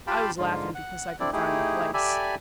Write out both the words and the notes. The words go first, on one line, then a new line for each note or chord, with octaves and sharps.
"I was laughing because I could find the place."
F4 G4 F5 G5 A5 B5
G#2 D3 F4
F#5
C4 D4 E4 A4 D5
A3 D#4 E4 G4 G#4
G4 A4 D5 E5 G#5 B5